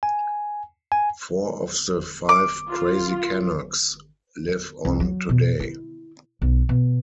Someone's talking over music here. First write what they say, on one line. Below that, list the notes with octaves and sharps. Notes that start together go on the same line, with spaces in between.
Four of the five "Crazy Canucks" live on today.
G#5
G#5
D6
F4
C2
F#3
B2
E4
B1
B2